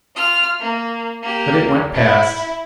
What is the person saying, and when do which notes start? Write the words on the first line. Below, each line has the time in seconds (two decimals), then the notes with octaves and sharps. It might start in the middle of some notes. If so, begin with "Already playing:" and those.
But it went past.
0.16 F4 F6
0.60 A#3
1.22 A#3 G4
1.94 E4